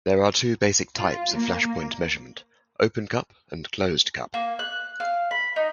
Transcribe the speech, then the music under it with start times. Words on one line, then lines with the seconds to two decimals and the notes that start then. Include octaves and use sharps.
There are two basic types of flash point measurement: open cup and closed cup.
0.95 F4
1.32 A#3
4.34 A#3
4.59 F#6
5.00 F5
5.31 B5
5.56 D#4